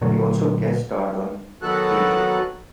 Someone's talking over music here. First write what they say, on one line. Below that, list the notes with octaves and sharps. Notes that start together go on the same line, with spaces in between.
He also guest starred on "Angel".
A#2 D3 F#3 A3
D#3 F#3 B3 F#4 A4 F#6